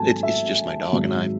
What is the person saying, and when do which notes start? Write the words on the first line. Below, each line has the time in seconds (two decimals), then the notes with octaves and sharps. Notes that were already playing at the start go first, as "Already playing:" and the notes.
it's it's just my dog and I;
Already playing: G#1 G#2 F#3 A3 G#5 A5
0.23 E5
0.93 G#1 G#2 F#3